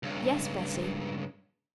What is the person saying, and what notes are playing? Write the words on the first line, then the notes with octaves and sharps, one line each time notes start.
'Yes, Bessy.
C#2 G2